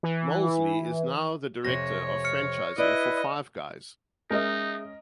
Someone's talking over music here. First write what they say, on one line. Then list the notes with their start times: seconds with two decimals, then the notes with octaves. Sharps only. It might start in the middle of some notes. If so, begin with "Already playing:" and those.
Moseley is now the Director of Franchising for Five Guys.
0.03 E3
1.65 F2 C3 C#5 A#6
2.24 F6 C#7
2.78 E4 B4 D5 D#5
4.30 G#3 C#4 D#4 G#4 A#4 D#5 E5